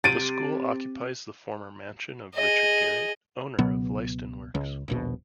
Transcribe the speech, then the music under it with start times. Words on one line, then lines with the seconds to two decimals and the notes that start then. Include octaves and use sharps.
The school occupies the former mansion of Richard Garrett, owner of Leiston Works.
0.04 C3 A6 D7 D#7
2.34 G#4 D#5
3.59 C#2 B2 F#3 B3
4.55 C#2
4.88 D#1 A#1 B2